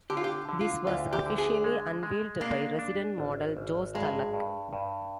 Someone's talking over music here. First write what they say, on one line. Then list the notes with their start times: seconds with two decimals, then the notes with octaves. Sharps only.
This was officially unveiled by resident model Josh Tallack.
0.10 D3 G4
0.17 F4
0.24 G4
0.49 D3
0.61 F4
0.87 D2 F4
1.13 G4
1.26 D3
1.38 G#4
1.64 G#3
2.03 G#3
2.41 A#3 D4
2.79 D4
3.18 G#1
3.57 G#1
3.95 G2 G#3
4.33 G2
4.73 G2